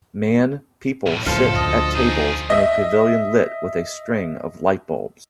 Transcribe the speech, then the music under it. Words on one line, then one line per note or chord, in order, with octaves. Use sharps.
Man people sit at tables in a pavilion lit with a string of lightbulbs.
B1 A2
C#2 F#2 A2 F3 A4 C5 F5
D2 A4 D#5
D#4 F4 G#4
D#5 E5